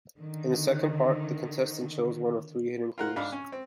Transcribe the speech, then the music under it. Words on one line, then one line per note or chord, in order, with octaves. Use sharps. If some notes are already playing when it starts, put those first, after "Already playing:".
In the second part, the contestant chose one of three hidden clues.
D3 D#3
F4 A#4 F#5
G#2 D4 F5 B5
C#4
C4